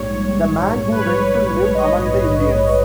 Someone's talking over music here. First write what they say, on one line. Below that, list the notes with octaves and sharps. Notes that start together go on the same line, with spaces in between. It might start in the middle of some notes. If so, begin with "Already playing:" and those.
The man who went to live among the Indians.
Already playing: A#1 G#2 G3 C#5
B4
C#5
B4
B4
C#5
D#5